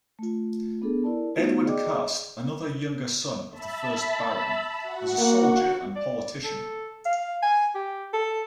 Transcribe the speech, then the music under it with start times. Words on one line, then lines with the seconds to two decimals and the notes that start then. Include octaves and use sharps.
Edward Cust, another younger son of the first Baron, was a soldier and politician.
0.19 A3 F4
0.82 B3 D4 G#4 A4
1.04 E4 A#4 D5 A5
1.34 A3 B3 D#4 F4 F#4 C5
1.65 G#4 D5 D#5 G5 D6
3.49 E5 A5 B5
4.82 F#4 F#5
5.19 A#3
5.96 D5
6.44 A4
7.06 F5
7.42 G#5
7.75 G4
8.13 A4